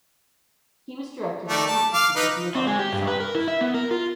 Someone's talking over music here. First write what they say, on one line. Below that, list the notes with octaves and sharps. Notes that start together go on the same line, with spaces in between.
He was Director of the Institute of Geological Science.
D#3 A3 D5
A5
F5 D6
D#4 B4
C4
G#3
G4
G2
B4
A#4
E4
E5
B3
A#4
F4